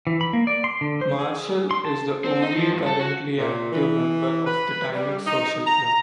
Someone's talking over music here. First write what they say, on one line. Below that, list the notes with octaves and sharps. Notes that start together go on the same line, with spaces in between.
Marshall is the only currently active member of the Timex Social Club.
E3
B5
A#3
D5
C6
D3
C5
G#4
C6
A5
C4
D#4
F3
G2
A4
F#4
A#2
E3
B4
G3
D#4
A#5